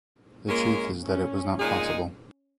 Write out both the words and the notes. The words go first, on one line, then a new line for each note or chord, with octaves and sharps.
The truth is that it was not possible.
G#3 A#3 C#4 F4 A#4
C#4
A#2 G#3 D#4 G#4